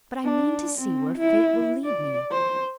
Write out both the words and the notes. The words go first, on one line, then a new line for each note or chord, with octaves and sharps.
But I mean to see where fate will lead me.'
D4
C4
E4
D5
C5